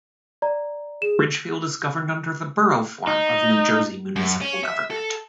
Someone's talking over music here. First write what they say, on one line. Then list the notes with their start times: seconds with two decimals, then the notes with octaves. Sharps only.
Ridgefield is governed under the Borough form of New Jersey municipal government.
0.42 D5 A#5
1.02 G#4 E7
3.07 D#4
4.16 F#2
4.41 C#4
4.64 E5
4.91 A4